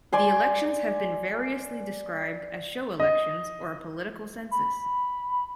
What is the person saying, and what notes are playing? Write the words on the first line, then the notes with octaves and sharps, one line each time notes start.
The elections have been variously described as show elections or a political census.
D5 G#5 C6
D#5
B5